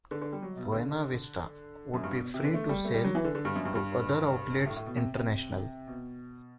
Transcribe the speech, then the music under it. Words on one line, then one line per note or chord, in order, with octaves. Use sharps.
Buena Vista would be free to sell to other outlets international.
D3
D3
G3
F#3
B2
D3
F#2
G2
B2
C3
D3
A3
G3
A3
G3
F#3
E3
D3
D3
G2
F#2
G2
G2
A2
A2
B2
C3
C3
B2